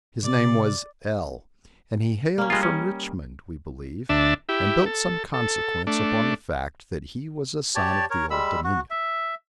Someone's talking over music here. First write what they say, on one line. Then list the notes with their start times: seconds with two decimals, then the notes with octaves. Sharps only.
His name was L--, and he hailed from Richmond, we believe, and built some consequence upon the fact that he was a son of the Old Dominion.
0.23 C3 D5
2.38 A#3 C#4
2.50 G3 G#3 F4 D#5
2.63 C#4
4.09 D2 D4 E5 A5
4.49 E4 G4
4.86 A4
5.34 A4
5.87 A3 D4
7.75 G4 C#5 D5 A5
8.10 A#4 C#5
8.31 G3 G#3 B5 E6
8.64 F#4
8.91 E5